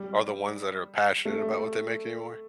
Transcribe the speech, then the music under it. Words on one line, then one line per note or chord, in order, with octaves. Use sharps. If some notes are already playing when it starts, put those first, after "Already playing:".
are the ones that are passionate about what they make anymore,
Already playing: G3
A3